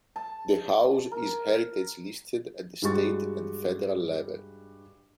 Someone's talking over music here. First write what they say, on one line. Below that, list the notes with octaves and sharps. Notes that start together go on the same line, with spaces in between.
The house is heritage-listed at the state and federal level.
A5
A#4
G2 G3 G#3 F#4 C#6 A6